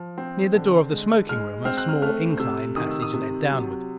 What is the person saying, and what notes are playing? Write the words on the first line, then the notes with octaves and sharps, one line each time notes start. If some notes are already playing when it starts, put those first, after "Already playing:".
Near the door of the smoking room a small incline passage led downward.
Already playing: F3
C4
D3
G#3
G#3 F6
C4 F6
F#6
F6
A3 F6
C3 E6
D#3 D#6
E6
D#6
C3
F#3